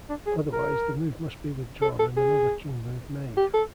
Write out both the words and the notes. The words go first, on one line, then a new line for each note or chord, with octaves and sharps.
Otherwise, the move must be withdrawn and another king move made.
D4
G#4
A#4
A4
A4
G#4
G4
A4